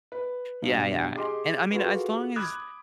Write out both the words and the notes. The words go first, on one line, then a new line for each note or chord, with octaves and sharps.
Yeah, yeah. And, I mean, as long as
B4
G2 B2 D4
G4 G#4 D#5 G#5 C6 D6
F4 F#4 G#4 A4 B4
B5 D6 D#6 F#6 G#6